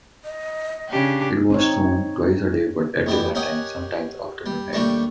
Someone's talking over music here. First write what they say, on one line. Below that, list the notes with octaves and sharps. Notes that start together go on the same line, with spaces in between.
It was shown twice a day, but at different times, sometimes after midnight.
D#5
C#3 D4 G4
C4 D#4 C#5
A1 E2 G3 B3 E4
G4 A#4 C#5 D#5 F#5 G#5
G3
D#2 G3 A3 D4 A5 C#6